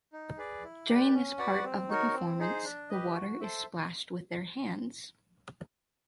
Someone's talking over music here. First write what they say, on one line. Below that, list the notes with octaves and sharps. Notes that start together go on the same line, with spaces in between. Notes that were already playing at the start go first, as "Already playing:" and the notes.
During this part of the performance, the water is splashed with their hands.
D#4
G#4 B4 D5
E4
G4 B4 D5
C#4
F#4 B4 D5 F#5
C4
D#4 F#4 A#4 C#5
C4
D#4 G#4 C5
D4
G4 B4 D#5
F#4
A4 C5 E5